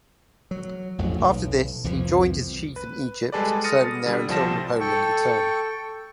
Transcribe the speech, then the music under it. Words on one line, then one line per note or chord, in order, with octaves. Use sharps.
After this he joined his chief in Egypt, serving there until Napoleon's return.
F#3
A1 F2 A2 F#3
B1
C2 F2 E3 F3
B4
G3 G#3 G#4 A4 B4 D5
D#6 F6 A6 A#6 C#7 D#7
D3 G3
C2 F3 G3 A5 A#6 E7
A4 G5 C#6